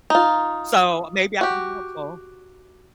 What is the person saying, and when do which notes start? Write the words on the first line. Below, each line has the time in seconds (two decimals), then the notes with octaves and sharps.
so maybe I can be more helpful.
0.10 D#4 F4
1.41 F#4 G4